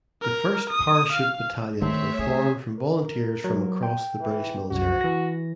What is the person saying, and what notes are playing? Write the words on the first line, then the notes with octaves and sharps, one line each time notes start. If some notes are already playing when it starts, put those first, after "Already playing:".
The first parachute battalions were formed from volunteers from across the British military.
A#4
D#6
F5
D#3 A3 C4 C#5 E5
C#4 G#4
A#4
F#3
G5
E3
C2 F#2 F#4
E3 A#6